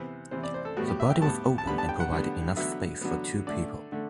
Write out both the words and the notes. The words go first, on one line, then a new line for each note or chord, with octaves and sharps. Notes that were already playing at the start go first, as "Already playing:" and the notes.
The body was open and provided enough space for two people.
Already playing: C3 E3 B3 C5
C3 E3 B3 C5
D5
C5
A4
A2 G3 B3 F#4
G4
E5
G5
A2 G3 B3 A5
A5
D3 G3 B3 B5
A5
G5
F#5
D3 G3 B3
D3 F#3 B3 E5
D3 F#3 B3
D3 A3 D5
D3 A3